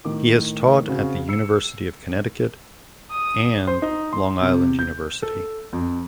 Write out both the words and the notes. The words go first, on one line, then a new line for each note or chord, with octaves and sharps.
He has taught at the University of Connecticut and Long Island University.
A2 D#3 D6
C#3 C4 F#4
E6 C7 C#7
D#6
C5
D#4
C6
C3
G6
A4
F2